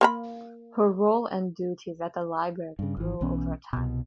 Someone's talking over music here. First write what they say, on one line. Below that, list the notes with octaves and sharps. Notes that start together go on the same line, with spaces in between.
Her role and duties at the Library grew over time.
A#3 C#5 B5
G2 C#3
G#1 E3
B1 E3 B3 C#4
C2 B2